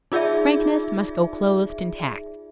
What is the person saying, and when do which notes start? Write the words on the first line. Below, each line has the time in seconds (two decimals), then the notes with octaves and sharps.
Frankness must go clothed in tact.
0.12 D#4 F4 G#4 D5 E5